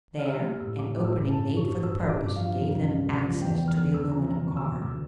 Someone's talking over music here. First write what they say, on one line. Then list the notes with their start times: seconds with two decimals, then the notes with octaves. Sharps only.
There, an opening made for the purpose gave them access to the aluminum car.
0.19 F6
0.25 G3 E6
0.42 G3 F6
0.60 A2 E6
0.78 A2 D6
0.96 A2 D6
1.05 E6
1.13 A2
1.30 G2 A5
1.49 G3
1.57 C#6
1.65 G2
1.83 G2 E6
2.01 G2
2.09 D6
2.19 G2
2.36 F3 F5
2.54 F3
2.71 C#2
2.89 C#3
3.07 C#2
3.24 F3
3.41 E2 G5
3.59 E2
3.68 F6
3.76 E2
3.93 E2 E6
4.11 F3 A#5
4.29 E2 A#5
4.47 D2 C#6
4.57 E6
4.65 D2 D6
4.81 D2 E6